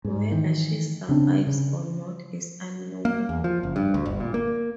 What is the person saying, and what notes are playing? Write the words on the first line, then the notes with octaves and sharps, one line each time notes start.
Whether she survives or not is unknown.
G#2
D#3 E3
C#3 C4 D4
C#3
A#3
E2
F3
F#1
G2
D2
G1
A#2
A#3